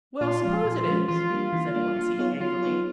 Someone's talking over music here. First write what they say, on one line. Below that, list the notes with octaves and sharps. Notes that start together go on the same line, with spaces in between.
"Well, suppose it is," said Blasi, angrily.
A#2 F4
F3 G#3 C#4
A#2
F3 G#3 C#4
E3 F4
G3 A#3 D4
E3
G3 A#3 D4
F#3
B3 D#4 G#4 C#5
F#3 F4
B3 D#4 G#4 C#5